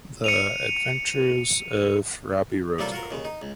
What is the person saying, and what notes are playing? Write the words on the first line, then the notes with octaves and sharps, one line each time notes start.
The Adventures of Robby Roto!
C#7 D#7 F7
C3 F#3 G3 A#3 F4 A4
F4 F#4 A#4
D#2 C#3
D#4
C#2